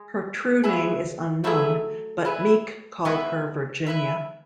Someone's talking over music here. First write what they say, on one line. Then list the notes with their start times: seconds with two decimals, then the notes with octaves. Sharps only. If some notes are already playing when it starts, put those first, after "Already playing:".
Her true name is unknown, but Meek called her "Virginia".
Already playing: G#3
0.64 E4 G#4 B4 E5
1.44 F#3 A3 E4 G#4 B4 E5
2.25 E4 G#4 B4 E5
3.05 G#3 B3 E4 B4 E5
3.87 E4 B4 E5